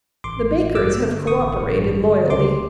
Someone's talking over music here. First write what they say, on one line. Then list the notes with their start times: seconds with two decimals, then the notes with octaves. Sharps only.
The bakers have co-operated loyally.
0.24 A1 C6 D6
0.49 A1
0.75 G2 D6 E6
1.01 D3
1.27 A1 C#6 D#6
1.53 A1
1.79 G2
2.05 D3
2.30 C#2 C6 D6